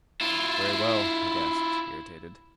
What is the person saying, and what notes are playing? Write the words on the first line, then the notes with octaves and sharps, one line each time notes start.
"Very well," I gasped, irritated.
E4 F4